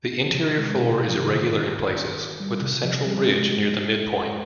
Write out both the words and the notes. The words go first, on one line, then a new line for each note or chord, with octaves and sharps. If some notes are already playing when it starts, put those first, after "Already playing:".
The interior floor is irregular in places, with a central ridge near the midpoint.
B3
F3
C3
D3
G#3
B2
C3
F3
D#3
D3
D#3
G3
C3
F3
G3
G#3
G#3
G#3